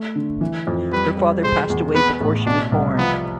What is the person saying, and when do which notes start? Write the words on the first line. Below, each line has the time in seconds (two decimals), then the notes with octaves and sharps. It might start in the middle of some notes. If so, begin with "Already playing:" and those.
Her father passed away before she was born.
Already playing: A3
0.16 D3
0.41 E3
0.67 F2
0.92 G3 B4
1.17 G3
1.44 E1 C5
1.70 E2
1.95 B3 B4
2.21 A1
2.46 B2 D4
2.72 C2
2.98 F3 B3